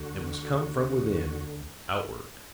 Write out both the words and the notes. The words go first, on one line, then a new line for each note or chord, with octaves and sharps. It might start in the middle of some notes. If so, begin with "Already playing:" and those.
It must come from within, outward.
Already playing: D2 D3 F#4